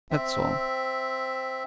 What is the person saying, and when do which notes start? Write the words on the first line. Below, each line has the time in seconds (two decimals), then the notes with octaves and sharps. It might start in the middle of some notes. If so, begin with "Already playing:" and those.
That's all.'
0.11 C4 E5